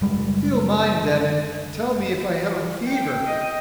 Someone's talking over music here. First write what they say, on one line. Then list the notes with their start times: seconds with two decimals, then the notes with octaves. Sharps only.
"Feel mine then and tell me if I have a fever."
0.01 F#1 G3 G#3
2.87 G5
3.26 D#5